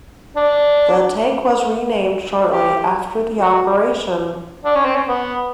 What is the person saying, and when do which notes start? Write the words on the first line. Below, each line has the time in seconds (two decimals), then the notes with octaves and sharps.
The tank was renamed shortly after the operation.
0.36 D4
2.51 G4
3.36 F#4
4.65 D4
4.75 C#4
4.85 C4
4.96 C#4
5.08 B3